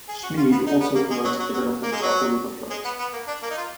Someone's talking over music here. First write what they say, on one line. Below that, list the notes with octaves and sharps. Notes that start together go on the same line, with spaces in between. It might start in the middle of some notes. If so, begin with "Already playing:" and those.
Schmied also promoted development of the riverfront.
G#4
F#4
F4
B3
D#4
B3
A#3
G#3
F#3
F#3
F#3
A#3
G#3
F#3
G#3
B3
B3
A#3
D4
A#3
D#4
F4